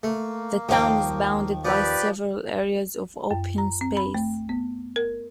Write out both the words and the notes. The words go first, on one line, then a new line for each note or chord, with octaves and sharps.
The town is bounded by several areas of open space.
A3 A#3
D#2 F3 C5 F5 G5
F3 G4 B4 D5
F#2
A#5
C4
B5
A3
B3
A#4